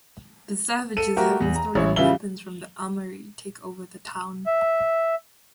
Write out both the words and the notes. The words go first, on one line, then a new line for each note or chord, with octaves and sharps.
The Savages, having stolen weapons from the Armory, take over the town.
A4 D#7
A3 F#4 G4 A#4
E2
A#5
A1 E4 C#5
C#3 E3 G3 F4 E5 G7
E5